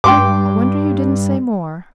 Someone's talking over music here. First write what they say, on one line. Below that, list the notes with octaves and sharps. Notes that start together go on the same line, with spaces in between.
"I wonder you didn't say more."
G2 G5 C6 D6